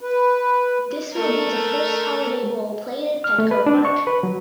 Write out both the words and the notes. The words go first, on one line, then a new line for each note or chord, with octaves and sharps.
This will be the first Holiday Bowl played at Petco Park.
B4
A3 A#4
F6
A3
B4
D4
C#6
B4
F#3